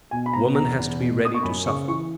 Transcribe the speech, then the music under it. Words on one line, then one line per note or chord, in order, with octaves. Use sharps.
Woman has to be ready to suffer.
B2 G#5
B5
B2 A#5
E2 A#5
E2
B2
B2 D#6
C#6
F#2 B5
C#3 C#6
E3 C#6